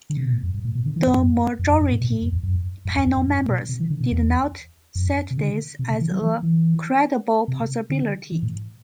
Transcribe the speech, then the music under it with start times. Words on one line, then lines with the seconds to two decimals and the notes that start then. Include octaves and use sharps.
The majority panel members did not cite this as a credible possibility.
0.10 D3
0.17 C3
0.25 B2
0.33 A2
0.43 F#2
0.54 G2
0.65 A2
0.75 B2
0.86 D3
0.96 E3
1.07 G2
1.17 F#2
1.59 F#2
1.69 F#2
1.81 G2
1.91 A2
2.01 B2
2.12 A2
2.22 F#2
2.32 E2
2.43 F#2
2.85 G2
2.96 E2
3.06 F#2
3.17 F#2
3.27 G2
3.48 B2
3.69 C3
3.80 E3
3.90 D3
4.01 B2
4.11 E2
4.95 F#2
5.31 C3
5.37 D3
5.79 C3
5.90 C3
6.01 E3
6.11 F#3
6.21 E3
6.43 E3
7.48 C3
7.90 D3
8.32 E3
8.43 A2